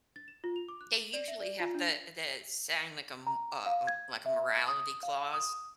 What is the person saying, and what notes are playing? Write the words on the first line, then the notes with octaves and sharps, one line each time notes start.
They usually have to to sign, like, a m uh, like, a morality clause,
A6
E7
F4
F7
D6
F#6
D#7
D5
E5
D5
F4
D4
A#5
F5
G#6
E5
D#6
F5
D#6